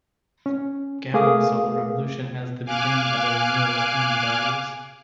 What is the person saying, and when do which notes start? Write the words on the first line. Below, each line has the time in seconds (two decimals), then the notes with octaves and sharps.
Gabo saw the Revolution as the beginning of a renewal of human values.
0.46 C#4
1.14 A3 G#4 A#4 F5 D6 D#6
2.65 F5 G#5 D6 F6 F#6